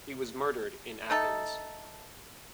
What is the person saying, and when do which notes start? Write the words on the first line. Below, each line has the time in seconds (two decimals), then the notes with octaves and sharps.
He was murdered in Athens.
1.10 A3 D#4 A4